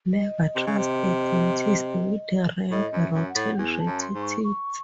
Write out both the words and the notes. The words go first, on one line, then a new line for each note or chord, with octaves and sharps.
Never trust a dentist with rank, rotten, ratty teeth.
D#5
C3
C#3
C3
A2 D#5
F#2
E5
F#2
F#5
A2
E2 G#5
A5
F#2
C6
G#2
C#6
C#6